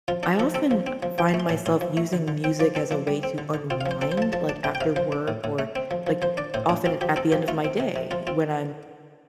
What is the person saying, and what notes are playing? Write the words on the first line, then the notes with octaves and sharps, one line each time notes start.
I often find myself using music as a way to unwind, like, after work or, like, often at the end of my day when I'm
F3 F4
D4 A4
F3 A4
C4 A4
F3
C4
F3
F3 G5
A5
A3
C6
A2 A5
A2 C6
F3
A3
D3
D3
C4 G5
F3 D5
C4 A4
F3 D4
G3
C4
D3
D3
C4 F4
F5
F3
C5
C4 A4
C5
F3 A5
F3 A5
D4 A5
C3 G5
G5
C3 F5
F3 C5
D4
A2
A2
A3
C4
F3
F3
F3 C5
D4 D5
A2 C5
A2 D4
C4 F4
F3 G4
C4 A4
F3 G4
A3 F4
C4
C3
C3
F3 F4
C4 F4